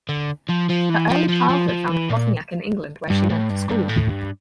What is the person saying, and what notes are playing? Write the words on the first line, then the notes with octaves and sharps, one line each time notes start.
Her early childhood found Pozniak in England where she went to school.
D3
F3
F3
E3
F3
F3
F3
F3
E3
A#2
G2
A2
G2
G2
A2
G2